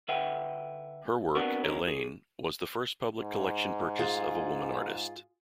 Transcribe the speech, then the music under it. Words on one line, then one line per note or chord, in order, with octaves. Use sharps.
Her work, "Elaine", was the first public collection purchase of a woman artist.
D3 B4 E5 F#5 G5
B3 C4 D4 F#4 A#4 B4
B1 E2 C#3 D#4 A#4 C#5
G#4
G#2
F4 G#4